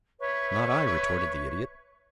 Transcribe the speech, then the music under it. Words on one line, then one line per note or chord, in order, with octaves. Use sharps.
"Not I," retorted the Idiot.
B4 C#5 E5 C#6